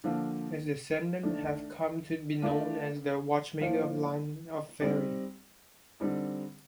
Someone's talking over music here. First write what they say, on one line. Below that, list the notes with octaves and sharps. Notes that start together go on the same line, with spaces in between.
His "descendants" have come to be known as the Watchmaker line of Feri.
D3 F3 A#3
D#3 A3 D4
A3 D4 F4 A#4 D5
A2 F3 A#3 F4 C5
G3 C4 D#4 G4
D3 G3 C4 D#4